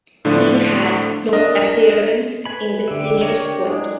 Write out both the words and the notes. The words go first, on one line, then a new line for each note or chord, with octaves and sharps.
He had no appearance in the senior squad.
A2 D3 F3 A3 D4 F4
D4 A#4 D#5
B4 G#5 B5
D3 G4 E5
D4 A#4 C#5
A2 F#3 G#3 D4